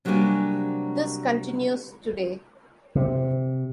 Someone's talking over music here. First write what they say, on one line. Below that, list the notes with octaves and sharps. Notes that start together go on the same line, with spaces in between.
This continues today.
C3 F#3 G3 A#3 D4 G#5
C3